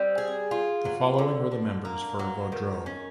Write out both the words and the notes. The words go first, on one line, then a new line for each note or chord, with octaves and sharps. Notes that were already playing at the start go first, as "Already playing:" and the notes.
The following were the members for Vaudreuil.
Already playing: G3 C4
G#4
F4
F#3
D3
D3
A#3
F#3
D#3
C#4